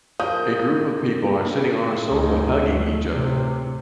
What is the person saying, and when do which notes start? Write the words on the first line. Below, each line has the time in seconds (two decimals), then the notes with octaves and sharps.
A group of people are sitting on a sofa hugging each other.
0.20 F3 D#4 A#4 D#6 G6
2.09 D2 D#4
2.62 D2 A3
3.11 A2 C3